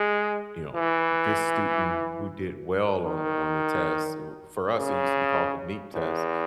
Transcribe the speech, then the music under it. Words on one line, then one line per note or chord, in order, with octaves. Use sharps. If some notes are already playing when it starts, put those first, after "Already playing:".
you know, this student who did well on on the test, who for us, it used to be called the MEP test,
Already playing: G#3
E3
D#3
C#3
E2